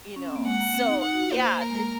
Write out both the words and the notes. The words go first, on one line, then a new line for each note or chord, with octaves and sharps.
you know. So, yeah, it
C#4
C4
A#3
G#3 F#5
A#3
C4
D#4
D#4 F#5
F#4
F4
A#3 C5
A#4
G#3
A#3